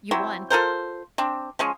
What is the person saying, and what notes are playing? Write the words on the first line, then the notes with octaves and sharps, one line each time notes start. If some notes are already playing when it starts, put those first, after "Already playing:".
You won.
F#3 C4 E4
F4 A4 A#4 C5
C4 D4
F3 G#3 C#4